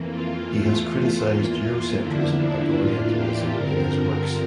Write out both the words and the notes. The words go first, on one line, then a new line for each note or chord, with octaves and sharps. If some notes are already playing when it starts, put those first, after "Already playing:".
He has criticized Eurocentrism and Orientalism in his works.
Already playing: F2 E3 A#3
F4
E2 E3 A3
E2 E3 A#3
E2 D3 F3 A#3 D4 E4
A2 E3 A#3 D4 F4
G4
G2 D3 F3 C4 A#4